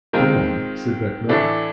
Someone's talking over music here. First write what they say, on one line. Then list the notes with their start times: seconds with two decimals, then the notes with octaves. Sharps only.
"Go on," said Bechamel.
0.13 D#3 G#3 C4 F4 A#4
1.29 A2 E3 A3 D4